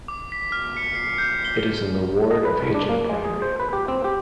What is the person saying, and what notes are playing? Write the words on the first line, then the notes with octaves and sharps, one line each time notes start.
It is in the ward of Hitchin Priory.
D6
B6
F6
C#7
C7
G6
G7
D#5
B4
C2
D4
A#3
G#3
G#4
C5
B4
G4
C4
G4